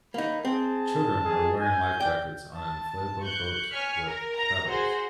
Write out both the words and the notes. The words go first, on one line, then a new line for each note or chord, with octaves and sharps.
Children are wearing lifejackets on an inflatable boat with paddles.
A#3 D#4 B5
C4 G#4 A5
G#4
G#5 G6
D5 G5
A5
C#6 F#6 G6
C#5 G#5 C#6 F6 B6
A#4
A#5
F#4 G#4 C5